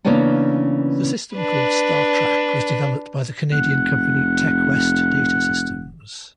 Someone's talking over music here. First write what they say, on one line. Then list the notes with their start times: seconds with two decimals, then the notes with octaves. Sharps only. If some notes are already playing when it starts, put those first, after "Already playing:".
The system called Startrack was developed by the Canadian company Techwest Data Systems.
0.05 C#3 E3 A#3 B3 C#4 D4
1.36 D4 B4
3.53 F1 F#5